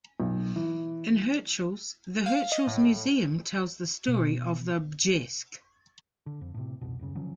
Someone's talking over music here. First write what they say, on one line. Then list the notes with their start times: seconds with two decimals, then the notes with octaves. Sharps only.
In Hirtshals, the Hirtshals Museum tells the story of the "bjesk".
0.20 B1
0.56 E3
2.26 F5
2.52 D#5
2.67 A2
4.08 B2
6.26 D3
6.41 F2
6.54 A2 C3
6.81 C2 F2 B2
6.99 D#1 F#2 C#3
7.15 D3 F3 F#3 C#4